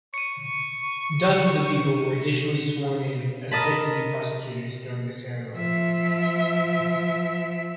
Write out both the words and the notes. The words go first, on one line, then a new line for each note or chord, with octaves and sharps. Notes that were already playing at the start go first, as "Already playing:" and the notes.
Dozens of people were additionally sworn in as deputy prosecutors during the ceremony.
C#6 C#7 D#7
A#4 D#5 A5 B5
F3 E5